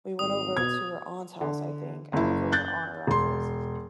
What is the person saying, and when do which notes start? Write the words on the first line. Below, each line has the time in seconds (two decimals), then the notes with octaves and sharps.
we went over to her aunt's house, I think- I don't know if it was her aunt or uncle's-
0.19 G#1 D#6
0.57 B2 G#6
1.41 D3
2.13 F#1 E4
2.52 F#6 G6 A6
3.07 E1 C6